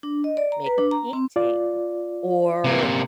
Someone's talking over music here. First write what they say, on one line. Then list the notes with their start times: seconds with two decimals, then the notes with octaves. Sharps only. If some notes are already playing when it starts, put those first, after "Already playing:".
make a painting, or
0.03 D4
0.24 D#5
0.37 D5
0.52 A#5
0.66 B4
0.78 D4
0.91 A#5
1.13 C4
1.36 F4 D5
2.65 C3 A#3